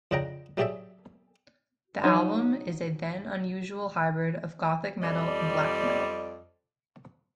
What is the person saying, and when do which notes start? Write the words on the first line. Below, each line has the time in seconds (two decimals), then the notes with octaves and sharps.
The album is a then-unusual hybrid of gothic metal and black metal.
0.11 F2 C#3 D4 D#5 G5 A#5
0.57 F#3 A3 G4 G#4 D5 E5
2.04 F#3 D#4 C#5
5.03 F2 G3 D5 D#5